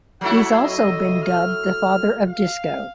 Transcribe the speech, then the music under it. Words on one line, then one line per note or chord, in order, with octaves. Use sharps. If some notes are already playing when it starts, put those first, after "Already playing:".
He has also been dubbed the "Father of Disco".
F#3 A3 E4 F#5
D#5
F6
F5